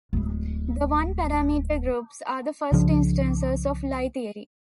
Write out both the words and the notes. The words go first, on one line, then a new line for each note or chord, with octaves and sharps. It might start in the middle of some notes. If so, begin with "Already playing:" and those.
The one-parameter groups are the first instance of Lie theory.
D1 G#3
C2 C#3 F3 D4